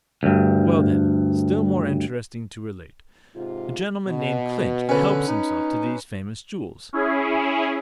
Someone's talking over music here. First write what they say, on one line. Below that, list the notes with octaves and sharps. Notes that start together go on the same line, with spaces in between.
Well, then, still more interesting to relate, a gentleman named Clinch helps himself to these famous jewels.
D2 G2
G#2 C3 F4
B2
D3 C#4 B4
D#4
C#4 E4 G#4